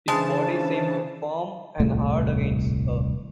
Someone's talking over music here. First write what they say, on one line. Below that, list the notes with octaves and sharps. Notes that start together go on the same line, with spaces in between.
His body seemed firm and hard against her.
C#3 E3 G#3 D4 C5 A5
D#1 C2 A2 A3